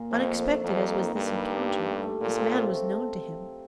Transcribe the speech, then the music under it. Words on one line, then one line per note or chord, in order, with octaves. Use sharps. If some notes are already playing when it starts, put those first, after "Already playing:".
Unexpected as was this encounter, this man was known to him.
Already playing: A#2
F2 F3
A3
A3
F2 A#3
A#3
D#3
G2 G3
G3
G3
D4
A3
A3
A#2 F4
C4
C4
A3